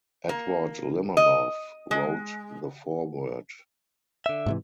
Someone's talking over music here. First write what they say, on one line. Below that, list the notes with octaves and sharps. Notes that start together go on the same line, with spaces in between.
Edward Limonov wrote the foreword.
A#3
D#5
G#3
D3 E5
G#2 C3 E3